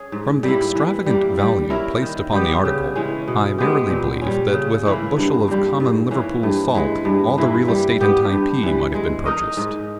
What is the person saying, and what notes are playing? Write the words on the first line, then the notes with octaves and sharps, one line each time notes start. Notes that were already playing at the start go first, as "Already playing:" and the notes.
From the extravagant value placed upon the article, I verily believe, that with a bushel of common Liverpool salt all the real estate in Typee might have been purchased.
Already playing: C#4 G#4
G#2
G3 A#3 E4
E3
G3 A#3
G3
C#4 E4 A#4
D#3
G3 B3 G4
C#3
E3 G#3 C#4
B2
G#3 B3 G4
A#2
C#4
G3
C#3
E3 A#3 E4
G2
G3 A#3
G#2
E3 A#3 C#4
G2
E3 G#3
G2
E3 A#3 E4
G3
B3 G4
G2
E3 G3
G#3
D#4 A#4 D#5
G#2